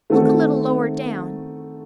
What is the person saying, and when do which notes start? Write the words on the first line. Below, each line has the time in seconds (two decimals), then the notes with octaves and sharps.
"Look a little lower down."
0.10 D#3 A3 C4 F#4 A4